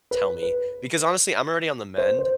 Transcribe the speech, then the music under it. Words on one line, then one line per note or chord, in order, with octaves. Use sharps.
tell me. Because, honestly, I'm already on the mend.
B4
B4
C5
C5